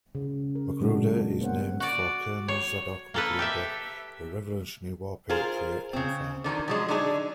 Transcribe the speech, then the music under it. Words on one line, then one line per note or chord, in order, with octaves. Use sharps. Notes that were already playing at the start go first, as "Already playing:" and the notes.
Magruder is named for Colonel Zadok Magruder, a Revolutionary War patriot and farmer.
C#3
A#4
A#2 F#3 G#3 C4 D4 F#4
A#3 B3 C#4 C5 F5 F#5
F#4 D5
C#5
A#3 A4 B4
G4 A4 E5
F4 G#4 A#4 C5
C#3 C4
D3 D#3 F3 F#3
F3 F#3 G#3
D3 F#3 D4 D#4 G4 G#4